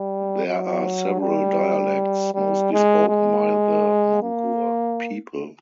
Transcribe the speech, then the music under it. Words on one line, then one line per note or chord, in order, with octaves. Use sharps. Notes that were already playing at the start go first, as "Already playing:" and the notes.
There are several dialects, mostly spoken by the Monguor people.
Already playing: G3
F#3
G3
G3
G#3
G#3
A#3